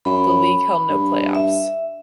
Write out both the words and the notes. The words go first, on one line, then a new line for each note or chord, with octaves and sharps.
The league held no playoffs.
F#2 B5
G2
E5